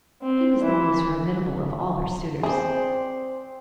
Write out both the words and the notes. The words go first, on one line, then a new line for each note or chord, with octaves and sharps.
He was the most formidable of all her suitors.
C4
E3
C4 G#4 C5 D5